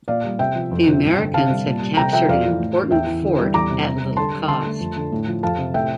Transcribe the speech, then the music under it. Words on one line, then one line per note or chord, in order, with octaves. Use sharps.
The Americans had captured an important fort at little cost.
A#2 D5 F5
G3
C3 E5 G5
F3
F2
C3
G2
D3
C3 F5 A5
G3
A#2
G3
C3 G5 A#5
F3 E5 G5
F2 D5 F5
E3
A2
E3
E2 E5 G5
E3
D3
G3
E2 A#5 D6
C3
C3
G3
D3 A5 C6
G3
D3 A5 C6
A3
F2
D3
A2
F3
F2 F5 A5
C3
A2 E5 G5